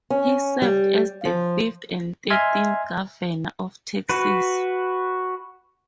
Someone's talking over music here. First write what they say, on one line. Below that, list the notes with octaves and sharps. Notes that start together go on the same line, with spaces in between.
He served as the fifth and thirteenth governor of Texas.
C#4
G3
F3
D#5 E5 G#5 C6 F6 G#6
F#4 B4